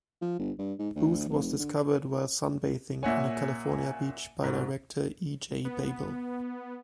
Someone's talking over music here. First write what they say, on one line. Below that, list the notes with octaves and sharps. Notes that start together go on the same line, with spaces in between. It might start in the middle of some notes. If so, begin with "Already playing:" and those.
Booth was discovered while sunbathing on a California beach by director E. J. Babille.
F3
G1
G2
G#2
D2
F1
D3
A#2 C#5 E5 F#5 G#5
G#2 B2
B3